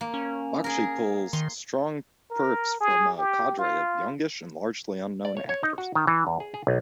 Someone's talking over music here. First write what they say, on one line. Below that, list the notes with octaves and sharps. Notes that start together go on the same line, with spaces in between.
Bakshi pulls strong perfs from a cadre of youngish and largely unknown actors.
A#3
C#4
G#4 A#4
D#3 C6
A#4
G#4
G4
F4
D5
C#5
C#5
D#4
F#4
D#3
E3
E2
G#4
G#4
B1